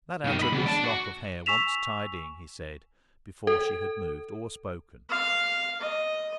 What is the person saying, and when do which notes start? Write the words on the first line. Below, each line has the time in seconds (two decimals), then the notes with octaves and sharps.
"That outer loose lock of hair wants tidying," he said, before she had moved or spoken.
0.25 B1 D#3
0.39 D#5 B5
0.52 C#3 B3
0.66 D5 A5
0.84 F#4
1.46 G#5 C#6 E6 B6 E7 F7
3.47 A4
5.10 F5
5.81 D#5